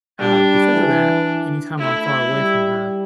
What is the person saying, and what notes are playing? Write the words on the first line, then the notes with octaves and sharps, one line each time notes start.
uh, because of that, any time I'm far away from her,
G3 D4
E3
A3 E4
G3